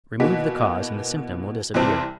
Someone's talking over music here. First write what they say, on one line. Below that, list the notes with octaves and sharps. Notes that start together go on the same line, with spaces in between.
Remove the cause and the symptom will disappear.
B2 E3 A#3 F#4 B6
C2 C3 E3 C4 A5